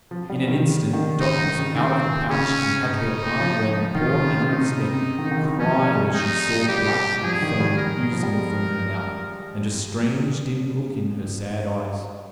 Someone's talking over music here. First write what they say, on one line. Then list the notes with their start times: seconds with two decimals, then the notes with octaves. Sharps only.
In an instant Dot was out of the pouch and had her arm round the poor animal's neck, crying, as she saw blood and foam oozing from her mouth, and a strange dim look in her sad eyes.
0.11 F3
0.29 G3
0.48 D#3
0.66 C#3
0.93 D#3
1.20 C#3 D#4
1.39 D#3
1.57 C#3
1.75 D#3 C4
2.30 C#3 C#4
2.85 D#4
3.40 F3
3.95 D#3 F4
4.22 C#3
4.49 C3 D#4
4.77 C#3
5.19 D#3
5.31 D#3
5.45 D#3
5.59 F3 C#4
5.77 G3
5.96 G#3
6.14 D#4
6.69 G3 G4
7.23 F3 G#4
7.42 D#3
7.60 G3
7.78 A#4
8.13 F3
8.23 G3
8.33 G#3